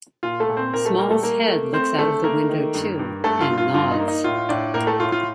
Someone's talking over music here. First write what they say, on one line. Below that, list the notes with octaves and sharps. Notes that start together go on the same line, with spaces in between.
Small's head looks out of window too, and nods.
A#2 F4
A3 A4
A#2
C4 C5
A#2 A#3 A#4
A3 A4
G3 A#3 A#4
A3 A4
A3 A#3 A#4
A3
A3 C4 C5
D3 A3 A4
A3 A#3 A#4
D#3
G2
G2
G2 A3 A4
F4
G2
F4
G2 F4
D#4
A#3
D#4
A2 F4
A2 D4 D5
A2 A#3 A#4
A3 A4
A2 F4
F4